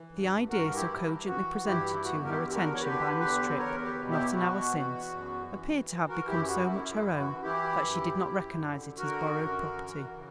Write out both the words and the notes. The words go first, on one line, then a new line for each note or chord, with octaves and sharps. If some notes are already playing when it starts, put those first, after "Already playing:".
The idea so cogently presented to her attention by Miss Tripp not an hour since appeared to have become so much her own that she did not recognise it as borrowed property.
Already playing: E3
G2
G2 F#4 A#4
E4 G4
E3
E3 F#4
G2 E4 G4
E2 F#4
A#4
E4 G4
D3
G4
F#4 A#4
C#5
D3 G4 B4
E2 G4 B4
E2 A#4 C#5
G4 B4
B2
E4 G4
B2 F#4
E2
F#2
E3
E3
F#4 A#4
F#2 E4 G4
F#4
F#2 E4
E4
E3
F#4
E3 E4 G4
F#2
F#2
D3
D3 F#4 A#4
F#2
E3
C#3